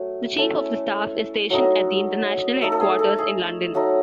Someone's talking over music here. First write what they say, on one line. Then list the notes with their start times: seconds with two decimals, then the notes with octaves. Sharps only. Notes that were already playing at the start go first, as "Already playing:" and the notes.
The Chief of the Staff is stationed at International Headquarters in London.
Already playing: F#3 A3
0.37 A3 C#4 E4 A4
1.50 F#3 A3 D#4
2.62 A3 D#4 A4
2.72 A4
2.80 G#4
2.99 A4
3.18 G#4
3.74 F#3 A3 D#4